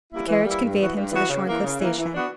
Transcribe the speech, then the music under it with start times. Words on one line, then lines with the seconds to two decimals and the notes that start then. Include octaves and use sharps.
The carriage conveyed him to the Shorncliffe station.
0.12 G3 A#3 E4
0.27 E3
0.45 G3 A#3 E4
0.62 G2
0.79 E3 B3 F#4
0.96 G2
1.12 E3 B3 F#4
1.29 C#3
1.47 E3 A#3
1.63 C#3
1.80 E3 A#3
1.97 E3
2.14 B3 D4 F#4